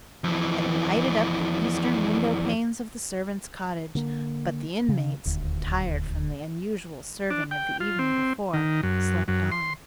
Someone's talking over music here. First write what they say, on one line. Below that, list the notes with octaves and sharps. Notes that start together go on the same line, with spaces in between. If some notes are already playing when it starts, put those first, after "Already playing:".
It lighted up the eastern window-panes of the servants' cottage, but the inmates, tired from the unusual serving of the evening before, slept on.
F2 E3
D3 A#3
C#3
D#1 D2
D4
G5
F4
C4
D#3
F#2
F#2
C6